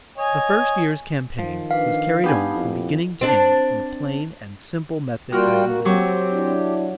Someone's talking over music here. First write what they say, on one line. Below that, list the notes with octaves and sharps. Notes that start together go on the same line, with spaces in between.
The first year's campaign was carried on from beginning to end, in the plain and simple method I've related.
C#5 D#5 G#5
D#3 F3
D4 B4 F5
B3 D4 D#4 G4 G#5 A5 B5
F2 E4
C4 D4
G3 A#3 F4 F#4 G5 F6
F#3 C4 G4 C#6
D4 E4